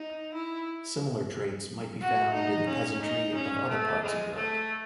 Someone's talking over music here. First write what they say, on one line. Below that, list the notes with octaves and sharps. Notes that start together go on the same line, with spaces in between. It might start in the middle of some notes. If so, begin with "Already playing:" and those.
Similar traits might be found in the peasantry of other parts of Europe.
Already playing: D#4
E4
F#4
D#4
C#4
D#4
C#4
A3
G#3
A3